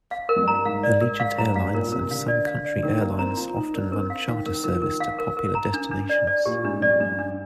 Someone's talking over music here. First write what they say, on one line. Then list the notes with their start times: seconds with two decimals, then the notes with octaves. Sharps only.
Allegiant Airlines and Sun Country Airlines often run charter service to popular destinations.
0.11 F5
0.29 A#4
0.36 F2
0.42 G2
0.48 A#5
0.65 G#2 F5
0.83 D5
1.01 A#4
1.20 F5
1.38 G2 A#5
1.56 G2 F5
1.70 G#2
1.74 A#2 A#4
1.92 C3 A#4
2.11 D3 F5
2.28 D5
2.47 F5
2.65 D5
2.77 D3
2.83 D#3 A#4
3.01 A#3 A#4
3.19 C4 A#5
3.37 F4 A#5
3.56 D#4 A#5
3.74 D4 A#4
3.91 C4 A#4
4.10 F5
4.27 D#3 F5
4.46 D#3 A#4
4.64 F3 A#4
4.76 F3
4.82 D#3 A#4
5.00 F5
5.19 A#4
5.37 A#4
5.55 A#5
5.74 D4
5.91 D4
6.09 D5
6.27 D5
6.46 A#2 G4
6.63 G#2 D4
6.81 F2 D5
7.00 G2 D4
7.19 D4